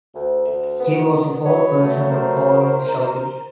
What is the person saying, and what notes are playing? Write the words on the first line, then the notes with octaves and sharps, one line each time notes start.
He was the fourth person to hold this office.
D2
D2
B3
B3
F#3 B4 C#5
A3
C#5
F#3 A#4 C5
C2